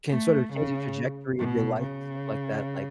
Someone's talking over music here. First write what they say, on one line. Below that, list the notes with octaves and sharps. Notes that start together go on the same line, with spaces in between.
can sort of change the trajectory of your life and stuff like that, like,
A3
C#3
B2
C#3